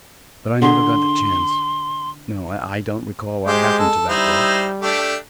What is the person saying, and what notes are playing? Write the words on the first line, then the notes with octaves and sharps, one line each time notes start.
But I never got the chance. No, I don't recall what happened to that watch.
D3 G#4 C6
G#3 G4 C5
A4
G3 D#4 E4 C5
A3 D4 G4